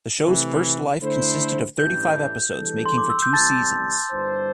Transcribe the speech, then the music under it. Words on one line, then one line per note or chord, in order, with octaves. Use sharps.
The show's first life consisted of thirty-five episodes, making for two seasons.
C3 E3 A3
D3 A3 E4 C5
A1 G2 E3 G6
E2 E3 G3 D4 A4
C6
D6
E6
G6
C2 C3 E3 G3 A5 A6
G1 G2 G3 E4 C5